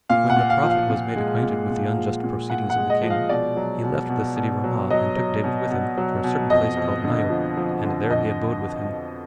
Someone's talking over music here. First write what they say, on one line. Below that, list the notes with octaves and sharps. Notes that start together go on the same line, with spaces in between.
When the prophet was made acquainted with the unjust proceedings of the king, he left the city Ramah, and took David with him, to a certain place called Naioth, and there he abode with him.
A#2 F5
F#5
A#2
F5
F3
F5
A#2
G#3
A#2
A#2
F3
A#2
A#2 F#5
F#5
G#3
D#5
F3
F5
B2 D5
F#3
B2
B2
B2
F#3
F#3 D#5
F#3
B2
B2
F#3
B2
F2 D#5
F2
D3
F3
F3
D3
F2 D#5